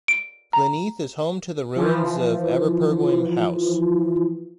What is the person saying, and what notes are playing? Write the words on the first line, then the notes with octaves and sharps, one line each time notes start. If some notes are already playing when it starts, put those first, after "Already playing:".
Glynneath is home to the ruins of Aberpergwm House.
D7
A#5
E3 F3